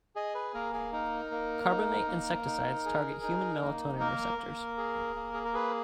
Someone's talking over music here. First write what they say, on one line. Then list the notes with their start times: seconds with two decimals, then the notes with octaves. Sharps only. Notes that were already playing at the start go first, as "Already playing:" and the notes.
Carbamate insecticides target human melatonin receptors.
0.16 G#4 D#5
0.35 B4
0.54 A#3 A#4
0.74 G#4
0.93 D#4 A#4
1.31 A#3
1.70 D#4
2.07 A#3
2.46 D#4
2.85 G#4
3.23 D#4
3.62 A#3
4.00 A#3 A#4
4.38 A#3
4.77 G#4
5.16 A#3
5.34 G#4
5.45 A#4
5.54 G#4 B4